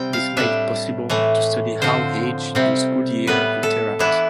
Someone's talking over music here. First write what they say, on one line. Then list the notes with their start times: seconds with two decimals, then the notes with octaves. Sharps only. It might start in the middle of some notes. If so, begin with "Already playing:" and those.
This made it possible to study how age and school year interact.
Already playing: C3 G3 C4 G5
0.13 F5
0.37 A2 G3 D4 E5
1.10 A2 E3 A3
1.82 D3 F3 C4 C5
2.55 C3 G3 C4
3.27 A2 G3 B3 B4
3.63 A4
3.99 E3 B3 D4 E4